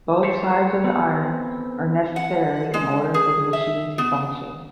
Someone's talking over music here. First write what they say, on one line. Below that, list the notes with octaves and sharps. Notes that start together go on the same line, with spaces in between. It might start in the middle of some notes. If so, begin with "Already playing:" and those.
Both sides of the iron are necessary in order for the machine to function.
G4 A4 C5 C#5
B3 C4 A4
F#5
G#3
G#4
E5
B3